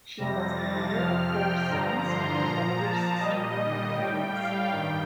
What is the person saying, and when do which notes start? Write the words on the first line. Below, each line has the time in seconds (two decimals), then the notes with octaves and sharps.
She was the mother of four sons, and the older sister of Marla Gibbs.
0.18 F2 C3 G3 A#6
0.56 A6
0.93 F2 C3 F3 F6
1.31 G5
1.69 G2 D3 F3 A#5
2.07 C6
2.44 A#2 F3 A#5
2.83 A5
3.20 A#2 G3 D#5
3.58 D#5
3.95 A2 G3 G5
4.33 F5
4.70 G2 D#3 G3 G5